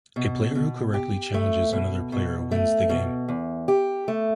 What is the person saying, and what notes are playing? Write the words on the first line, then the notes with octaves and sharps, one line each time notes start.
A player who correctly challenges another player wins the game.
B2
B2
G4
A3
B2
B2
A3
B2
E2
G4
A3